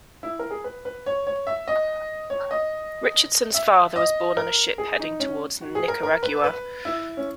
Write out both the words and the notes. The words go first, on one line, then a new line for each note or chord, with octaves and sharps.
Richardson's father was born on a ship heading towards Nicaragua.
E4
A#4
G#4
B4
B4
C#5
C#5
E5
D#5
C#5
D#5
E5
D#5
A#4
G#4
D#4
C#4
F#4
G#4
A#4
A#4
B4
B4
E4
C#4